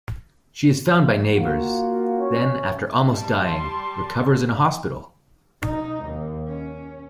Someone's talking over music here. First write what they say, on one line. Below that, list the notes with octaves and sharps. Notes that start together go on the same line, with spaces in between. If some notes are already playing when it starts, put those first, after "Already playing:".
She is found by neighbors, then after almost dying, recovers in an hospital.
A#3 F4 F#4
C#4
G3 A5
C6
D#4
D#2
C#4